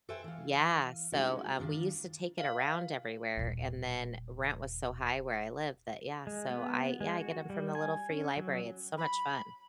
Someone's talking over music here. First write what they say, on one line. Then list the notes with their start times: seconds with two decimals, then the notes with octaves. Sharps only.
yeah. So, um, we used to take it around everywhere, and then rent was so high where I live that Yeah, so I Yeah, I get ‘em from the little free library. It's so much fun.
0.09 A4 B4 C5 E5 G5 G#5
0.24 E3 F5
1.12 G#3 A3 C#4 D#4 E4 F#4
1.59 D#3 D4 F4
2.38 F5
3.37 D#1 A#2
6.27 G#3
6.50 B3
7.01 G#3
7.21 F#4
7.50 G3
7.75 G#5
8.10 C#4
8.37 F#3
8.98 B5